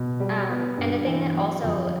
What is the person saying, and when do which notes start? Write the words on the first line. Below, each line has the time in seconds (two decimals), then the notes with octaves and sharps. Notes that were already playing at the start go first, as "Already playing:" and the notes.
um, and the thing that also,
Already playing: B2
0.20 G3
0.49 B3
0.78 G2
1.06 E3
1.35 F#3
1.64 F2